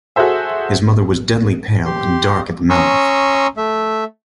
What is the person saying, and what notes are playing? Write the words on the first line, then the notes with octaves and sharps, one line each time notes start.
His mother was deadly pale and dark at the mouth.
F#4 G#4 A4 C5 E5
G4 C6
C#4 A#5 C6 C#6 D#6 E6
A3 E5